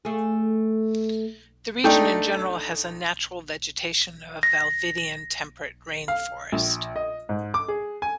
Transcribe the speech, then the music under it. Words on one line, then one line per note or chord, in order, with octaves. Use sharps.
The region, in general, has a natural vegetation of Valdivian temperate rain forest.
A3 G#4
A3 D4 D#4 G5
A#6
F5
A#1
D#5
G#2
D6
G#4
G#5